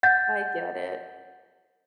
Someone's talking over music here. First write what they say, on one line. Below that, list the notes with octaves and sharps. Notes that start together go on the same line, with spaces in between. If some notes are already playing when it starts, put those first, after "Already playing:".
I get it.
F#5 G6 A6